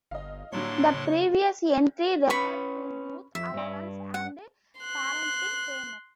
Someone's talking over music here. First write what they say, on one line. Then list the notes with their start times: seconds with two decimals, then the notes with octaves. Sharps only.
The previous entry referred to Youth allowance and Parenting Payment.
0.11 G1 D#5 F5
0.53 A2 D3 F#3 G3 A#3 D4 C#5 C6
0.94 F#1 C#3
2.30 C#4 B4 B5 C#6
3.35 F2 E5
3.54 G2 D5
4.14 F#5
4.80 C6 F#6